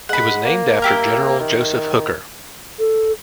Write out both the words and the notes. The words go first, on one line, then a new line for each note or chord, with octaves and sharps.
It was named after General Joseph Hooker.
G#3 F#5 B5
A#3
E4 G4 A#4
D#3
A4